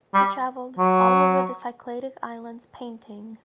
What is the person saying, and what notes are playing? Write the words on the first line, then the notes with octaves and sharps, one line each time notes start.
He traveled all over the Cycladic islands painting.
G3
F#3